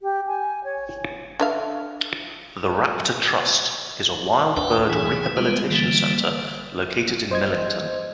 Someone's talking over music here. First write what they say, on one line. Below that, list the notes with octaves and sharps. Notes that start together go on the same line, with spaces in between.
The Raptor Trust is a wild bird rehabilitation center located in Millington.
G4
G#5
C#5
D3 E5 F5
D#2 D4 B4 F#5 G5
E3 G#4 G#5
G3 G#3 B3 F4
D3 E3 G3 A#3
C5 D#5 G#6